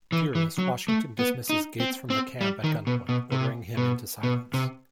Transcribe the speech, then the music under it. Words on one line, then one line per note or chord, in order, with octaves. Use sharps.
Furious, Washington dismisses Gates from the camp at gunpoint, ordering him into silence.
E3
E3
F#3
A3
B3
D#4
C4
C4
G3
D#3
B2
B2
C3
B2
B2
C3